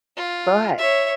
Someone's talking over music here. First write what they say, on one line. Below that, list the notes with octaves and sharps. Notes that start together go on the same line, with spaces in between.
Go ahead.
F4
C#5 E5